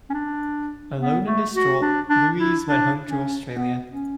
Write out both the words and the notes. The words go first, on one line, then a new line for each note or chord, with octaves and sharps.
Alone and distraught, Louise went home to Australia.
C#4
D4
B3
A3
F#4
D4
D4
E4
D4
C#4
B3
C#4